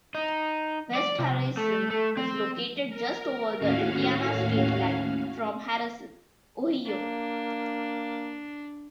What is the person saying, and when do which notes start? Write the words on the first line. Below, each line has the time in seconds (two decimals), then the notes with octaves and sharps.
West Harrison is located just over the Indiana state line from Harrison, Ohio.
0.15 D#4
0.95 D5
1.19 C3
1.57 A3
1.90 A3
2.17 C4
2.89 A#4
3.58 D#2 A2 C#4 F#4 F5
6.86 A#3 D4